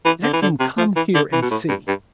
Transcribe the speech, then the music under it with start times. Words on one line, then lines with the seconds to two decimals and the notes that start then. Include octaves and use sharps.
Let them come here and see.
0.05 E3
0.23 D3
0.33 E3
0.42 D3
0.60 C3
0.78 F3
0.96 E3
1.15 D3
1.32 E3
1.42 B2
1.51 A2
1.69 G2
1.88 G2